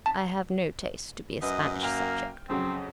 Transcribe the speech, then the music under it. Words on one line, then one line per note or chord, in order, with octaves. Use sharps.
"I have no taste to be a Spanish subject."
A5
F#2 B4 D#5
A#3 G5 F6 F7
F2 C#3 F#3 C4